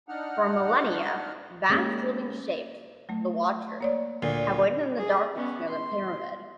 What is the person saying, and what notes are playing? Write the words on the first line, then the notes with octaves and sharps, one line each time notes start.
For millennia, vast living shapes-the Watchers-have waited in the darkness near the pyramid.
D4 D#4 F#5 F6
G#3 A#3 C#4 D#4 F#4 G4
F#3 A3
A#3 C#5 D5
D2 A#2
G#4
B3 C#4
C6